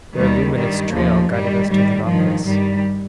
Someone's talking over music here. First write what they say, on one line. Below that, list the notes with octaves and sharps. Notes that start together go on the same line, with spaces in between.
Their luminous trail guided us to the Nautilus.
D#2 D#3 G3
G2 D#3 G3
D#2 C#3 F3
G2 D#3 G3
G#2 D#3 G3
G2 D#3 F3
G2 D#3 G3